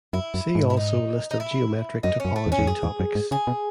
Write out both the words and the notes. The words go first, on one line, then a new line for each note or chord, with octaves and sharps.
See also list of geometric topology topics.
F#2 E4
F#2
G#2
E4
D#4
D#4
E4
F#2 D#4
C#4
F#2
A3
E2
C#4
E2
F#2 G#4
E2
F#2
G#2
C#3 G#4
B2